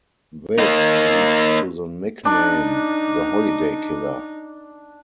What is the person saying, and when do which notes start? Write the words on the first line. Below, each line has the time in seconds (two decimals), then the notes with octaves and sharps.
This leads to the nickname "The Holiday Killer".
0.58 A#3 D#4
2.25 D4 D#4